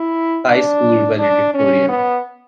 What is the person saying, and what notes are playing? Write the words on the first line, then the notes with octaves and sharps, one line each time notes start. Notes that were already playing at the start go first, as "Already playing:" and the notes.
High School Valedictorian.
Already playing: E4
D4
D4
C#4
B3